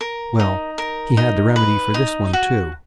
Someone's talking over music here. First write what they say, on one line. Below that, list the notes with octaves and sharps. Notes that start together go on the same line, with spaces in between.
Well, he had the remedy for this one, too.
A#4
D#4
A#4
D#4
B4
D#4
F#4